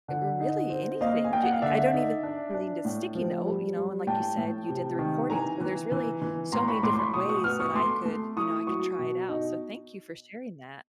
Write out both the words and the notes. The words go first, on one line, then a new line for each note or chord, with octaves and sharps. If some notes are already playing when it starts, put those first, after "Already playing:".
r really anything, j I don't even need a sticky note, you know, and like you said, you did the recording, so there's really so many different ways that I could you know, I could try it out, so thank you for sharing that.
D3
D#4
C4
A#3 D#5 F5
G#5
A#3 G5
F#5
F5
D3 D5 E5
D#4
D4
D4
A2
F3
G3
G3
A2 G5 A5
A2
C3
D#3
E3 G#5 A#5
E3
E3
E3
A2 A#5 C6
B5 C#6
A2 C6 D6
C6
B5 C#6
B2 C#6 D#6
C#6 D#6
B3 D#6 F6
C#6 D#6
A3 C6 D6
A3
E4 C#6 D#6
F#3 C#6 D#6
B2
D#4